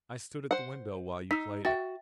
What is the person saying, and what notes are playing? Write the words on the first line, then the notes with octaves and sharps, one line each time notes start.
I stood at the window while you played it.
C5 F#5
D#4 E6 B6
F#4 E5 G5 A6